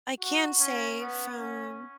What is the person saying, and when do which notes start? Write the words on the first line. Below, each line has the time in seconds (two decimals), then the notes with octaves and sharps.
I can say from
0.20 F#4
0.60 C#4
1.00 B3
1.39 C#4